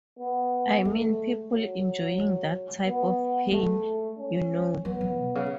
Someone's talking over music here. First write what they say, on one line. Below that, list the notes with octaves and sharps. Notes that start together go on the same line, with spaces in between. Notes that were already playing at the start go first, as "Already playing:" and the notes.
I mean ... people enjoying that type of pain, you know?
B3
G#3 A3
F#3
G#3
B3
G#3 A3
C#4
F#3 B3
F#3
B2
C#3